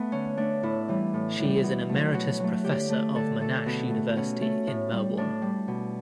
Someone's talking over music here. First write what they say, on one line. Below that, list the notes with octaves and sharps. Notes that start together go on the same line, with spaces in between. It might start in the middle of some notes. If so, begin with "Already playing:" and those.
She is an emeritus professor of Monash University in Melbourne.
Already playing: A3 B3
D3 C#4
A3 D4
A2 E4
E3 G3
A2
E3 G3
B2
F#3 A3
B2 F#4
F#3 A3
D3 G4
A3
D3 A4
A3 A4
B2 B3
A3
B2 C#4
A3
A2
G3
A2 D4
G3
B2